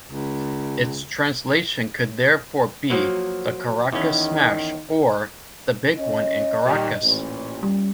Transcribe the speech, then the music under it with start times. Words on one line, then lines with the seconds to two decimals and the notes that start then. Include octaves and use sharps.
Its translation could therefore be "the Caracas smash" or "the big one in Caracas".
0.09 C#2
2.90 F3 F#3 A#3
3.92 E2 D#3 C#4
5.97 C#4 D#5
6.65 A#2 D#3 G3
7.02 A1 A#2
7.63 G3 C#4